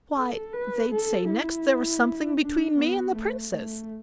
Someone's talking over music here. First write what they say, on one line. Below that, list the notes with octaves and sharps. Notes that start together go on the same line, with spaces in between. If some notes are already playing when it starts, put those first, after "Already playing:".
'Why they'd say next there was something between me and the Princess.'
A4
B4
A4
E4
D4
B3
A3
A3